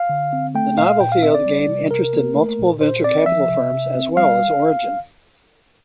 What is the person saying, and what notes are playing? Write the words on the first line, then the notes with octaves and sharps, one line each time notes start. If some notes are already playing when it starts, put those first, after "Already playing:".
The novelty of the game interested multiple venture capital firms as well as Origin.
Already playing: F5
D3
C4
A3 G5
A#2 F5
A#2 G5
F5
C4 E5
D5
G3
C3
C3 A#4
A#3
A3
A#2
A#2 C5
C4 D5
F3 E5
C3
C3
C4
G3 F5